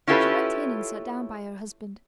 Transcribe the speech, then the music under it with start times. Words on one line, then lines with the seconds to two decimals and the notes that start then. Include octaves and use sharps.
She went in and sat down by her husband.
0.07 C#4 E4 F4 G4 A4 B4